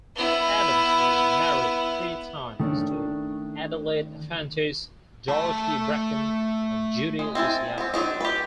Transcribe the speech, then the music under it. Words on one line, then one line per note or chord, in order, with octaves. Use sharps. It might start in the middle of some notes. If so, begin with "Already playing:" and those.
Adams was married three times, to Adelaide Efantis, Dorothy Bracken, and Judy Luciano.
B3 E4
D#3 A3 C#4 D4
A3 A5
G#3
C4 E4 G#5 A5
B3 C4
F#3 D4 D#4
G4 B4